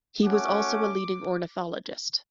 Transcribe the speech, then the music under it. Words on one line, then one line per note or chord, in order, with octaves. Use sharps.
He was also a leading ornithologist.
A3 C#4 F#4 D6